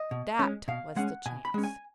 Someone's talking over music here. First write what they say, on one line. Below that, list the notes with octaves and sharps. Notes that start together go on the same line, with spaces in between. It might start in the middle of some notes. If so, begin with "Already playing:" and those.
THAT was the chance!
Already playing: D#5
B2
G#3 C#4
B2 F5
G#3 C#4 F#5
B2 G#5
B5
G#3 C#4
G#5